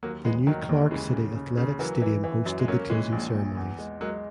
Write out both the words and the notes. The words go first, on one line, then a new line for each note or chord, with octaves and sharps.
The New Clark City Athletics Stadium hosted the closing ceremonies.
D#2 F#3 A#3
E1 G#3 B3
D#3 F#3 A#3
D#2
C#3 E3 G#3
C#3
C#3
C#3
E3 F#3 A#3
E3
E3
F#2
G#3
F#3 A#3 C#4
A#3
A#2 E3 G#3
A#1
A#2
E2
G#3
F#3 G#3 A#3